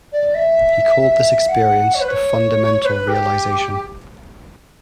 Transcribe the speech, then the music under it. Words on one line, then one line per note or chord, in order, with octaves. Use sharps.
He called this experience the "Fundamental Realization".
D5
E5
F#5
C#5
B4
C#5
B4
G4